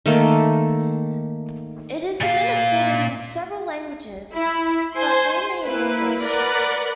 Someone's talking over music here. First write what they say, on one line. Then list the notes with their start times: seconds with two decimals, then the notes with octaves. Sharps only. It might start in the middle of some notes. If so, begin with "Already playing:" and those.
It is administered in several languages, but mainly in English.
0.06 D#3 A3 A#3
2.21 A#2 F5
4.34 E4
4.95 C5 G#5 C6
5.64 A#3 E4 B4
6.22 A#4 B4 D5 F#5